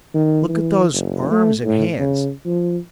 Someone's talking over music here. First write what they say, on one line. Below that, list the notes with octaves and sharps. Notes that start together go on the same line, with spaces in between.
Look at those arms and hands!
D#3
E3
F#1
A3
A2
C#3
F3